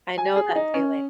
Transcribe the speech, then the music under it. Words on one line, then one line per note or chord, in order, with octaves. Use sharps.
I know that feeling.
G#5
G#4
D#4
C#4